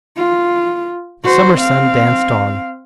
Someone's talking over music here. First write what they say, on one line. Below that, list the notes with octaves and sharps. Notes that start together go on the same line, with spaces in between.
The summer sun danced on.
F4
F#4 C5
C4 F5